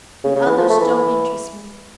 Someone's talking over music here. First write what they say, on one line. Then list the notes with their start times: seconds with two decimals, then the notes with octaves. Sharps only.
"The others don't interest me."
0.24 C#3
0.35 C#3
0.46 E3
0.57 F3
0.69 A3
0.80 E3